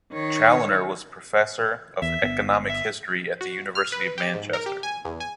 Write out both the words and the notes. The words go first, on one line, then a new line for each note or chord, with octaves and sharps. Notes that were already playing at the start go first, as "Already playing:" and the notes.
Chaloner was Professor of Economic History at the University of Manchester.
D#3 C#5
E2 E5
G1 B3
E5
F#4
F6
B4
G4
G#2
A#4
G4
G#5
E2
G#5